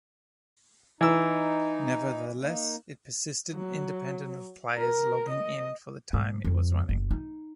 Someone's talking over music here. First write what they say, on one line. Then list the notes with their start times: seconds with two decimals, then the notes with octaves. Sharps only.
Nevertheless, it persisted independent of players logging in for the time it was running.
1.01 E3 D#4 E6
2.41 A#3 D#4
3.54 F#3
4.78 A#4
5.30 D#5
6.13 G#2
6.44 F2
6.89 F#1
7.11 D#4